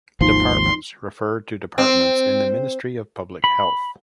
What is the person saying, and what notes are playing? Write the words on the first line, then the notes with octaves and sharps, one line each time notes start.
"Departments" refer to departments in the Ministry of Public Health.
G#1 D#2 F3 D#4 C6
C4
B5